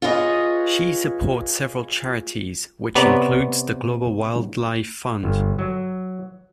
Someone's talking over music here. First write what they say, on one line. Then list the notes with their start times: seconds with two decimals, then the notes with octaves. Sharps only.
She supports several charities, which includes the Global Wildlife Fund.
0.02 F4 G#4 B4 C#5 D#5
2.95 C3 B3 B4 C#5 D5 A#5
5.23 G1
5.59 F#3